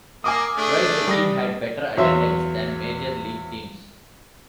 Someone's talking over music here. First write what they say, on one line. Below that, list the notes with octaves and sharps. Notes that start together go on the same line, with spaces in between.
Twice, the team had better attendance than major-league teams.
A#3 G#5 D6 D#6
A3 D4 G#4
G3 D#6 A#6
E2 F#3 C#5 E5 F5 C6